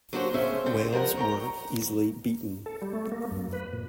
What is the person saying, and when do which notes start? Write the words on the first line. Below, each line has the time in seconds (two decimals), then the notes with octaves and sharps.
Wales were easily beaten.
0.13 F#3 A#3 D4 F#4 G4 C5
0.34 C#3 C#4 C5 E5
0.66 D3 G5
0.92 F3 G3 A#4 F#5 A#5
1.17 C#5 G5 A#5
2.66 A4
2.82 G3
2.93 A3
3.12 A#3
3.31 F#2
3.53 B4
3.73 A#2